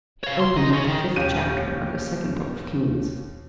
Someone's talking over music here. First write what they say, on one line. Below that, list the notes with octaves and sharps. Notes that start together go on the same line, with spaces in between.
It opened at the fifth chapter of the second book of Kings.
C#5 F5
C6
D#4
G#4 C#5
D#3
D#2 A#2 C#4 G4 D#7